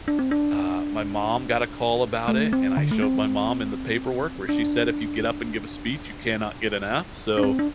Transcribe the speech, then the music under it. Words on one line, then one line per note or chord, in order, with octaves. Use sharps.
uh, my mom got a call about it, and I showed my mom in the paperwork where she said if you get up and give a speech you cannot get an F so,
D4
C4
D4
A3
C4
D3
A3
C4
D4
D4
C4
D4